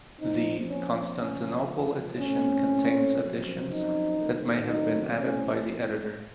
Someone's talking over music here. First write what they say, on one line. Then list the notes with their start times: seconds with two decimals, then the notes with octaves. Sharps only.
The Constantinople edition contains additions that may have been added by the editor.
0.19 A#1 A#2 F3 C4 D#4
0.69 C#4
1.18 C#2 C#3 F3 C#4
2.18 A2 A3 C4 C#4
3.18 F#2 F3 C4
3.68 D#4
4.18 F#2 D#3 F#3 A3 C4
4.67 D#4
5.17 A1 A2 A3 C4 C#4